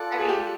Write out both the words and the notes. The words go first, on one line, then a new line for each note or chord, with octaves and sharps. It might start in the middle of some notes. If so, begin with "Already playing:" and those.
I mean
Already playing: F4 A4 D5 F#5
G#4
G4